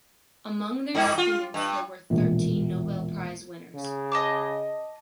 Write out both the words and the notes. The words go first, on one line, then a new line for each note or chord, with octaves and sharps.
Among their students there were thirteen Nobel Prize winners.
G2
F4
G2
E1 A#1
C#3
D#5 A5 D6